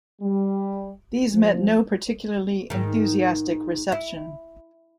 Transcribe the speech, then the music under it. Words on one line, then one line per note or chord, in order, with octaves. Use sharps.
These met no particularly enthusiastic reception.
G3
F3
G#2 D#3
E4